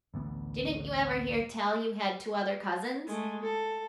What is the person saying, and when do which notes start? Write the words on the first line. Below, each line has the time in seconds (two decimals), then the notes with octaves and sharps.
"Didn't you ever hear tell you had two other cousins?"
0.14 A1 D2 B3
3.06 G#3 A3
3.43 A4